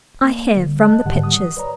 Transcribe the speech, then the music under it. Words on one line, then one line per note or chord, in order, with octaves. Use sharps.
I have, from the pictures.
A#3
D3 G3
D#5 A5 F#6
G#2 D3 D#3 G3 G4 F#5
D#6
B4 C#5 D5 A#5